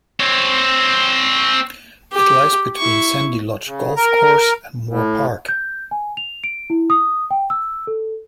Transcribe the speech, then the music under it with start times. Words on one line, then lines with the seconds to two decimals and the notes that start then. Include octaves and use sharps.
It lies between Sandy Lodge Golf Course and Moor Park.
0.20 C4 C#5
2.12 G4
2.77 E4 C#6
3.65 C#3
3.96 A#4
4.89 A2
5.49 G6
5.91 G#5
6.17 F7
6.44 D7
6.70 E4
6.90 D#6
7.31 G5
7.50 E6
7.87 A4